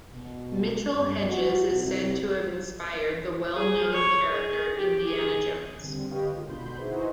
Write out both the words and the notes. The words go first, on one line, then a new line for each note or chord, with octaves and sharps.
Mitchell-Hedges is said to have inspired the well known character Indiana Jones.
B2
G2
F#4
C2
G#4
C#5
G#4
G4
G#4
D3 G3 C4
G4 B4 C#5 D#5 F5 G5
D#3 G#3 F4
B2 D3 B5 C6 G6
D#4 E4 F#4 G#4 B4 C5